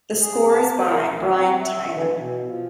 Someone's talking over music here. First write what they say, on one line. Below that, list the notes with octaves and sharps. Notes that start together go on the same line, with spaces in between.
The score is by Brian Tyler.
G#4
A5
C5
A#4
D2
C4
E5
E3
B2
F3